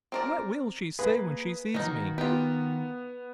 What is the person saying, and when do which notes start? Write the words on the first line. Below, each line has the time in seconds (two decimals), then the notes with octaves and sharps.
What will she say when she sees me?
0.12 C4 A#4 D5
0.99 A#3 G#4 B4
1.74 D#3 A#3 D#4 F#4 A#5
2.18 B3 F4 G4